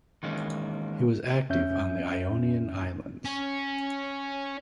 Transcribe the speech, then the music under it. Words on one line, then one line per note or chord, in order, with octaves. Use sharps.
He was active on the Ionian islands.
D#3 E3 G#3 A#3 C#4
F2 C#4 E5 G6
C#4